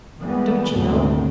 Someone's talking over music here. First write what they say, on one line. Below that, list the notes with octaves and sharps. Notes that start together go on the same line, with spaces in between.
Don't you know?
E3 G3 G#3 B3
G#1 D2 A2 C3 A3 C4